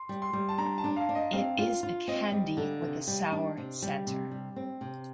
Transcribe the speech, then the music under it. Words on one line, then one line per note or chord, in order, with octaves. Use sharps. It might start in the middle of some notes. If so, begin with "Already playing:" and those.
It is a candy with a sour centre.
Already playing: C6
G3
C6
G3
A5
D4 A#5
A5
D4
F5
D4
D#5
C4 F5
F4
F4
C4 D#5
G3
D3
C3
G3
D4
C3
G3
C3
G3
C4
C3